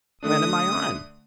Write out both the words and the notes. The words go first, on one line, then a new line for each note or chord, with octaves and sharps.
"When am I on?"
D3 A3 D4 D#6